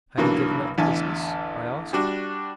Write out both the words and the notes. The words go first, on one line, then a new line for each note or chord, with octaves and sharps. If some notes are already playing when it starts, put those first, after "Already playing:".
"Have you given up the business?" I asked.
B1 G2 D3 E3 F#3 A#3
A1 E2 D3 E5 G#5 A5
G3 D4 F#4